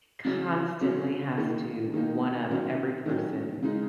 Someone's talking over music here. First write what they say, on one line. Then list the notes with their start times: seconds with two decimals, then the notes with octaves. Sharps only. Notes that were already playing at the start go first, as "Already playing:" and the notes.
constantly has to one up every person
0.25 C#3 F#3 C#4
0.81 C#3 F#3 C#4
1.38 D#3 A#3 D#4
1.94 D#3 A#3 D#4
2.50 D#3 F#3 C#4
3.06 D#3 F#3 C#4
3.62 C#3 G#3 D#4